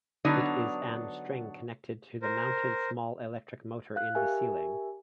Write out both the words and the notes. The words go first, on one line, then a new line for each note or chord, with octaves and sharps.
It is an string connected to the mounted small electric motor in the ceiling.
D3 F#3 B3 D4 D#4
A#4 C5
F5 F#6
G4 A#4 E5 G#5